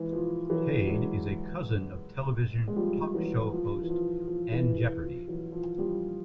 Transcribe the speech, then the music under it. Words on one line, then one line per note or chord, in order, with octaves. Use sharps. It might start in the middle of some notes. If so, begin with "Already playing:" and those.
Haid is a cousin of television talk show host and Jeopardy!
Already playing: E3 G#3
F3
E3 F#3
F#3 G#3
G#3
F3 G3
E3 F#3
F3
E3
F3
F3
E3
E3
F3
E3 F#3
F3
F3 G3